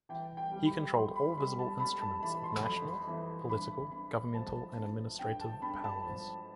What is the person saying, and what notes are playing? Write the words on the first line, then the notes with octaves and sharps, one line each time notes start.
He controlled all visible instruments of national, political, governmental and administrative powers.
E3 G5
G5
G3
B5
F2 C6
B5
G3 B5
A5
G3 B5
A5
E3 B5
C6
F2 B5
E3
G2 B5
G2 B5
F3 A5
G2
G2 G5
A5
G2 B5
A5
F3